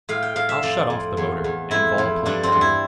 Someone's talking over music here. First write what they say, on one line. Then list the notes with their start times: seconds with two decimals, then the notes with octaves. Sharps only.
"I'll shut off the motor, and vol-plane down."
0.09 A2 F5
0.22 G5
0.36 A2 F5
0.49 E5
0.63 F2 D5
0.90 F2
1.17 E2
1.44 E2
1.71 F2 E4
1.98 F2
2.26 G2 D4
2.43 C4
2.52 G2
2.61 E4